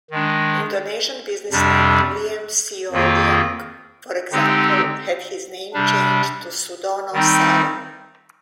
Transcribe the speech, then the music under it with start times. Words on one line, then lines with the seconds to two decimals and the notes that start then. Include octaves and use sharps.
Indonesian businessman, Liem Sioe Liong, for example, had his name changed to Sudono Salim.
0.11 D#3 G#3 D4
1.51 F2 C3 G3 D4
2.92 F2 D#3 A#3 F4 G#4
4.32 D3 G#3 C4 D#4 G4
5.73 C3 G3 D4
7.13 D#3 G3 C4 D#4